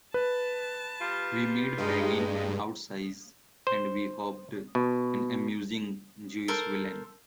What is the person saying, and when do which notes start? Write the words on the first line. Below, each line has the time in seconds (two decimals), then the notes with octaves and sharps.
We made Fagin an outsize and, we hoped, an amusing Jewish villain.
0.14 B4 A5
1.01 G3 F4
1.78 G2 G#3 D#4
3.67 C5
4.75 B2
6.48 A4 A#4 C5